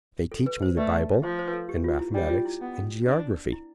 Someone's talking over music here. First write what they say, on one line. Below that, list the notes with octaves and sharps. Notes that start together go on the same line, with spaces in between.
"They teach me the Bible, and mathematics, and geography."
A4
B4
C5
A3 B4 D5
F3 C5
C5
B4
A4
G4
F4
E4
G3 D4
F4
E4
B3
D4
E4